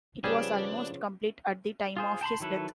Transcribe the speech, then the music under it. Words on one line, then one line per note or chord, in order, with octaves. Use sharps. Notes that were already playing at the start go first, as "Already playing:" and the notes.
It was almost complete at the time of his death.
C#3 F3 G3 B3 D4 G#4
F4 G#4 C5
G5 A5 B5 C6
D#3 F#3 E4 A4 B4